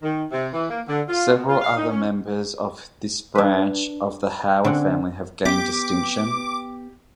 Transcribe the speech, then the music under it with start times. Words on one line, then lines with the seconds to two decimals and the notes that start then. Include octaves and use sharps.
Several other members of this branch of the Howard family have gained distinction.
0.02 D#3
0.32 C3
0.52 E3
0.70 A#3
0.87 D3
1.08 F4
1.35 B2
1.48 F4
1.62 F5
1.76 D#4
1.90 C#4
3.35 D4 B4
4.64 D3 C4 C#4 F#5
5.45 B3 G4 D6